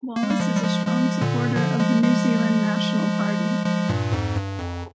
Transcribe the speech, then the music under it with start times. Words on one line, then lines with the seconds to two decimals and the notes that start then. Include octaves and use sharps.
Wallis is a strong supporter of the New Zealand National Party.
0.16 A#3
0.23 G#3
0.30 G3 A#3
0.40 F3 G#3
0.56 G3
0.64 F3 G#3
0.86 F3 G#3
1.21 A#2 D3
1.56 D3 F3
1.79 F3 G#3
2.03 F3 G#3
3.66 F3 G#3
3.89 G2 A#2
4.12 F2 G#2
4.36 G2
4.59 F2